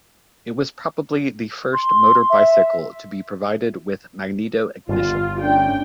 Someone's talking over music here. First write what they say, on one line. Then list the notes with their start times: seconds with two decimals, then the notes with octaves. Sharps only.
It was probably the first motor bicycle to be provided with magneto ignition.
1.73 C6
2.30 E5
4.89 G1 F4
5.40 A3 C#4 D4 G5